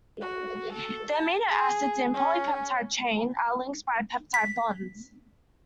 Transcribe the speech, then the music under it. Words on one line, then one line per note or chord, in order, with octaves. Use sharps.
The amino acids in a polypeptide chain are linked by peptide bonds.
F#4
A4
A5
G#4
C#4
B6